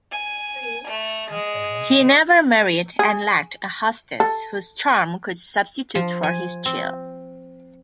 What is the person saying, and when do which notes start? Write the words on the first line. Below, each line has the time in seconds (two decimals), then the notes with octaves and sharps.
He never married and lacked a hostess whose charm could substitute for his chill.
0.11 G#5
0.88 A3
1.30 G#3
2.99 G#4
4.20 A4
5.95 F3
6.23 G#5
6.66 C4